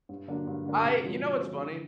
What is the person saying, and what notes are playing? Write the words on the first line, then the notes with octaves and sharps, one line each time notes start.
I you know what's funny?
G2
D3 F#3 A#3 D4
G2
D3 F#3 A#3 D4
C3
F3 G#3 C#4 F#4
C3
F3 G#3 C#4 F#4
D3